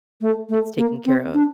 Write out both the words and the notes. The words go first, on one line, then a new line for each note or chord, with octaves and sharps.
it's taken care of."
A3
A3
A#3
C4
D4